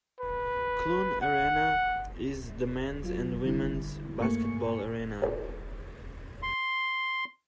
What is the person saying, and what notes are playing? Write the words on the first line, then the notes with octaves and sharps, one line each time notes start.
Clune Arena is the men's and women's basketball arena.
B4
F#5
F#3 F4
D3 G3 E4
G2 A3 A#3 G#5 C#6 C#7
C6